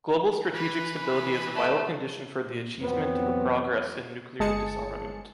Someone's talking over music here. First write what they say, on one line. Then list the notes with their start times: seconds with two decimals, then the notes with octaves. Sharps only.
Global strategic stability is a vital condition for the achievement the progress in nuclear disarmament.
0.54 E3 B4
1.55 A3
2.46 A#2
2.78 F2 E3 F#3 B3 C4
4.40 G1 G#3 G#4 A5 C#7